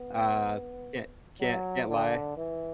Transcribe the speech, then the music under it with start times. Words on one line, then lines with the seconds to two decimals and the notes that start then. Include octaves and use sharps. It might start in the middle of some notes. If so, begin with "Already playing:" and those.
Uh, can't can't can't lie.
Already playing: B3
1.40 F#3
1.89 D3
2.37 E3